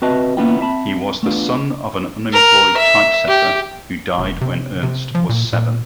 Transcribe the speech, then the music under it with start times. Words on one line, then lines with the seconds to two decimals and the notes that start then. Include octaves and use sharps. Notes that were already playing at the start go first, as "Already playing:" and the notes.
He was the son of an unemployed typesetter, who died when Ernst was seven.
0.02 C4 F#4 B4 D#5 E5 A5
0.37 A#3 B3 C#4 E4 F4 G5
0.60 C4 E5 A5 B5
1.23 A3 B3 D4 F4
2.32 A#4
2.77 E5
3.28 G4
4.18 F1
4.41 C3
4.83 C3
5.15 F3
5.29 A#2
5.53 A#2